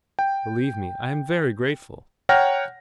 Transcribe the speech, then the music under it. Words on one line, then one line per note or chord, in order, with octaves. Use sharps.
Believe me, I am very grateful.
G5
C#5 F#5 G5 A#5 F6 A#6